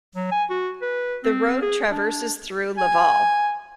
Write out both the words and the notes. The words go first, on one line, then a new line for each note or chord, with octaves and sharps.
The road traverses through Laval.
F#3
G#5
F#4
B4
C4
G#4
D4
G#5